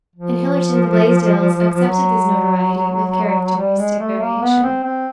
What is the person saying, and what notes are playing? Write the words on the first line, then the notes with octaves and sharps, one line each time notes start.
In Hillerton the Blaisdells accepted this notoriety with characteristic variation.
F3
F#3
G3
G#3
A3
A#3
B3
C4
C4